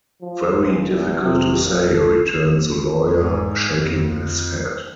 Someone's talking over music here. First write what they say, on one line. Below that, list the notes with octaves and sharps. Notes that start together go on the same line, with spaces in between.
"Very difficult to say," returns the lawyer, shaking his head.
F3
C#2
E2
C3
A#2
A4
G#2
F2